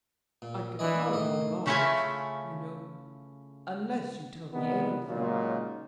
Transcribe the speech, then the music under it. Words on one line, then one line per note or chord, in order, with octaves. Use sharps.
"I can hardly advise, you know, unless you tell me everything."
A#2
E3 D4 C#5 D#5
A2 D#3 D#5
C#3 A3 C#4 E4 F4 G#5
C3 D#3 E3 G3 B3
A#2 C#3 F#3 G#3 A#3 D#4